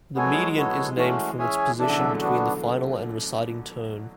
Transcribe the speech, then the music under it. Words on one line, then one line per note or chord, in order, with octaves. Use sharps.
The mediant is named from its position between the final and reciting tone.
G#3 B3 F#4 A4 C#5 G#5
F#3
E3 G#3
B3 F#4 A4 C#5
E3 G#3 A3 C#4 F#4
C#4 G#4 C#5 E5 G#5
C#3 E3 D4 A4 E5
B2 D3
D3 F#3
F#3 A3
B3 D4 F#4